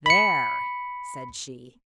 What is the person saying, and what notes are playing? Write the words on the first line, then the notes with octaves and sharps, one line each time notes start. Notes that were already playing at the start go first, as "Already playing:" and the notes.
"There!" said she.
B5 C#7